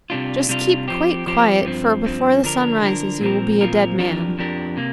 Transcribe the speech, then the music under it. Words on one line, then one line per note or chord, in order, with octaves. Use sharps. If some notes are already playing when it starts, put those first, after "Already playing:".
'Just keep quite quiet, for before the sun rises you will be a dead man.'
C3 G3 D4 F4
C3 G3 D4 F4
F3 C4 G4
F3 C4 G4
G2 F3 C4
G2 F3 C4
D3 F3 D4 A#4
D3 F3 D4 A#4
A#2 F3 C4 A#4
A#2 F3 C4 A#4
F2 F3 D4 G4 A#4
F2 F3 D4 G4 A#4
C3 A#3